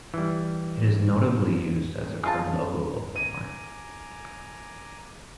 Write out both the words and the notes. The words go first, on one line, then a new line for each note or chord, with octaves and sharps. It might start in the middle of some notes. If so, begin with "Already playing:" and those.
It is notably used as the current logo of Walmart.
E3 G3
G#3 F4 A5
G#5 A#5 D6 D#7